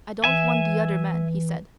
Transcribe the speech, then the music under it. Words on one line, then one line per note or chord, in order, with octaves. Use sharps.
"I don't want the other men," he said.
E3 E5 G#5